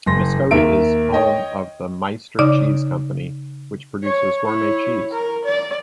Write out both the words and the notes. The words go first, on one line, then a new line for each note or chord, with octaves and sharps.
Muscoda is home of the Meister Cheese Company, which produces gourmet cheese.
F#1 C6 A#6
D#2 A#4 E5 D7
C#5 D#5 G5
C#3 D#4 D5 D6
C#5
E4 C#5
A#4
D5